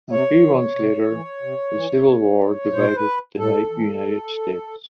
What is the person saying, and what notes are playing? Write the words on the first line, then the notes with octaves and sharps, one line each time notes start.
A few months later, the Civil War divided the United States.
C3 C#5
E3
C3
E3
C3
E3
A#2
A#2 C5
B4
A2 A4
E3